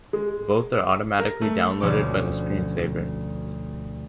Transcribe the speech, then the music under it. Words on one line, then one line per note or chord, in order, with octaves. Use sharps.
Both are automatically downloaded by the screen saver.
G#3
A#4
A3
D2 B2 F3 C#4 A5 D6